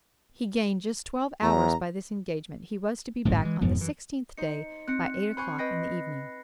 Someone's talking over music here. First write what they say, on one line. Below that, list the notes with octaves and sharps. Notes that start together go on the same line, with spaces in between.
He gained just twelve hours by this engagement; he was to be back on the sixteenth day, by eight o'clock in the evening.
E2 A#5
D1 G#1 F#2 A2
E3 G#3
E1 F2 G#2 B3
F#2 E3
D#4 C5 C#7
C4 F#6 C#7
C5 G#5 B5 C#6 F#6
B4 D#5 G5 A#6 C7